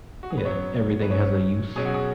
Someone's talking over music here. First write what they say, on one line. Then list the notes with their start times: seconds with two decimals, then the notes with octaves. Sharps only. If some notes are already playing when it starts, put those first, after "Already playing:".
Yeah, everything has a use
0.23 F#4
0.30 G#4
0.37 B4
0.45 F#2 F#3 B3 C#5
1.02 B4
1.10 F#2 F#3 C#4 C#5
1.76 B2 F#3 C#4 G#4
1.85 F#4
1.94 G#4